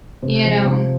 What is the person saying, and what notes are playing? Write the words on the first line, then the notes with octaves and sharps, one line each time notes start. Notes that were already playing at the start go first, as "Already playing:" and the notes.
You know?
C3
F3
C3